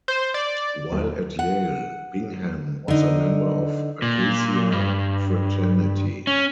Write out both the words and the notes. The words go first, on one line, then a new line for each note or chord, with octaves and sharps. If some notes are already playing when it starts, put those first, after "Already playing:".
While at Yale, Bingham was a member of Acacia Fraternity.
C5
D5
D#2
F#5
D3 D#4
A#2
G2
C#4